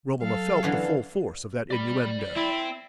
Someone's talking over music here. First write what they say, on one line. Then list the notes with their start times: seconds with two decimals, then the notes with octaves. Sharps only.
Romola felt the full force of that innuendo.
0.21 F#3 A4 F5
0.63 D3 E3 C#5
1.71 D5 B5
2.36 C4 E4